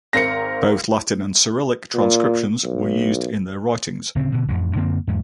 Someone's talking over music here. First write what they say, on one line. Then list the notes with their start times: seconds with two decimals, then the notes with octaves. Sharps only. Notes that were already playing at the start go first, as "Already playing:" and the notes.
Both Latin and Cyrillic transcriptions were used in their writings.
0.13 G#1 C4 A#4 A#6 C#7
1.94 A#2
2.64 B1
4.15 D1 C#3 C4
4.32 B2 D3
4.48 A1 F2
4.75 F#2 D3 A#3 C4
5.07 E2 G#2